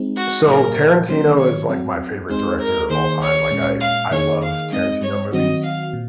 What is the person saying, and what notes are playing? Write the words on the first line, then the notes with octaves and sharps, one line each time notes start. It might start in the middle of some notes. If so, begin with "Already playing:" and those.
so Tarantino is like my favorite director of all time, like I I love Tarantino movies.
Already playing: G#3 C4 D#4
F#4
A#2 F#3 A#3 A#4
D#3 F#3 A#3 C#4 C5
C#5
F#3 C4 F#4
G#3 C4 D#4 G#4 C5
A#4
D#3 A#3 D#4 G#4 C5
C#5
A#2 G#3 C#4
F5
D#3 A#3 D#4 G#4 C#5
F5
G#3 C4 D#4 D#5
C#5
D#3 F#3 C4 F#4 D#5
F5
A#2